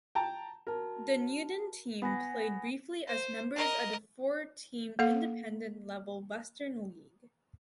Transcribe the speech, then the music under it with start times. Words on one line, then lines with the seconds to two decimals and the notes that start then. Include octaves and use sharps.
The Newton team played briefly as members of the four–team Independent level Western League.
0.15 G5 A5 A#5
0.67 F#4 A#4 A5
2.02 B3 F#5 G#5 A#6
3.07 C5
3.56 A#4 D#5
4.99 A#3 A4 F5